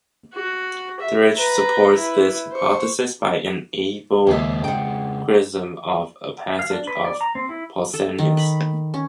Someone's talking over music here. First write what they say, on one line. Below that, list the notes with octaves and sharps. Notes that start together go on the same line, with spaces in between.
Thiersch supports this hypothesis by an able criticism of a passage of Pausanias.
F#4
E5
B4 A#5
E4 B4
C5 C#6
D#2 C#3 G#3 C4 E5
F#5 G5
F5
D4
B4
D5
A#5
C4
E4
A4
D#3
B5
C#4